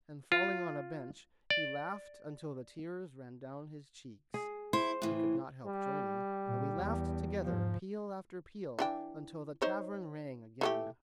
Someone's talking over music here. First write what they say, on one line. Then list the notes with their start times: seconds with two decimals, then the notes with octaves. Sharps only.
And falling on a bench, he laughed until the tears ran down his cheeks. I could not help joining, and we laughed together, peal after peal, until the tavern rang again.
0.32 F4
1.50 D5
4.34 G#4
4.73 E4 C5
5.02 A2 E3
5.66 G3
6.47 A#2
6.79 E2
7.44 G#2 F3
8.79 E3 D4 G5
9.62 D#4 C5 C#5
10.61 E3 A3 G4